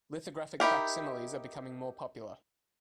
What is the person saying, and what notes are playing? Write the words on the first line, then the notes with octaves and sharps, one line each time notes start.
Lithographic facsimiles are becoming more popular.
D#4 E4 G4 A#4